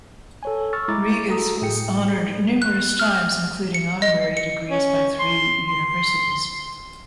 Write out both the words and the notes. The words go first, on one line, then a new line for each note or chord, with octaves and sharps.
Rigas was honored numerous times, including honorary degrees by three universities.
A4 C#5 G#5
C#6 E6 F6 A6
G#3 E4 A#5 D6 A6
F#4 A4 A#5 D#6
A2 G#4 G5 C#7
F#6
F6
C#7
D#5
C#7
C#4
C6
C6